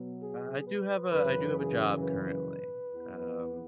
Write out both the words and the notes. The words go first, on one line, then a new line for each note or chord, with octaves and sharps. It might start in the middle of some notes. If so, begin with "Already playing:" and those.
Uh, I do have a I do have a job, currently, um,
Already playing: B2 F#3 B3
G#4
B4
F#2 C#3 E3 B4
G#4
B4
E2 E3 B3